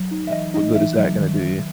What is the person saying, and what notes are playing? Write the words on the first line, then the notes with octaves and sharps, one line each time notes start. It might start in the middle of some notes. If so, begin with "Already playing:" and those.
ah, what good is that gonna do you?
Already playing: F#3
D#4
E5
E3 D#5
D#4 D#5
E3 E5
F#3 E5
D#3
F#3